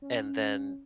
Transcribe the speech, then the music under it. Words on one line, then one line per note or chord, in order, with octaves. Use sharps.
And then
C#4